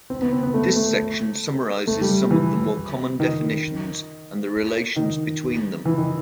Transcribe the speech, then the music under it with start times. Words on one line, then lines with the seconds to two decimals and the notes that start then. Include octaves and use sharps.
This section summarizes some of the more common definitions and the relations between them.
0.10 C4
0.22 B3
0.33 C4
0.43 B3
0.54 A3
0.76 A3
1.87 A3
2.01 G3
2.31 E3
3.20 D#3
4.96 D#3
5.85 E3
5.98 D#3